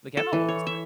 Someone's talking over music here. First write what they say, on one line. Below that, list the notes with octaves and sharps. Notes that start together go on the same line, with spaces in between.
The camo almost did.
A4
E3
C#5
E5